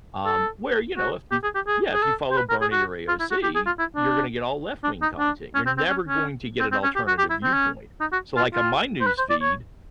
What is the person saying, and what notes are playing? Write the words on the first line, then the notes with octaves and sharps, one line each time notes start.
Um, where, you know, if y yeah. If you follow Bernie or AOC, you're gonna get all left-wing content. You're never going to get an alternative viewpoint, so, like, on my newsfeed,
A4
F#4
G4
G#4
G4
G#4
G#4
A4
C5
B4
A#4
G#4
F#4
F4
E4
F#4
G4
G#4
F4
E4
D4
D4
D#4
D4
C#4
C4
C4
C#4
C#4
C4
C4
C#4
G4
F#4
G4
E4
C4
C#4
D#4
F#4
F4
F4
C5
B4
C5
D5
C#5